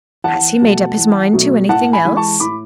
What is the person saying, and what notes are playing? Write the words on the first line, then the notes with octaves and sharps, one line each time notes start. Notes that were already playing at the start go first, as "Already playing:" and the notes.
"Has he made up his mind to anything else?"
E2 F#5 A5
B2 F#3 A3
E2
B2 F#3 A3
A2 F#5 A5
G#5 B5
E3 G#3
A5 C#6
A2 B5 D6